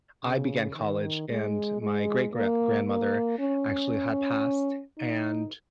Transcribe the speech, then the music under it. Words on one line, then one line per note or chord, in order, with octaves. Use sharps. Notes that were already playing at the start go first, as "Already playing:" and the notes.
I began college and my great gra grandmother actually had passed, and
C#3
D#3
G#3
G#3
A#3
A#3
C#4
D#4